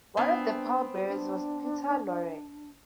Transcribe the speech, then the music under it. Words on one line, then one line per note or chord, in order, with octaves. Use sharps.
One of the pallbearers was Peter Lorre.
B3 C4 D4 G#5
D4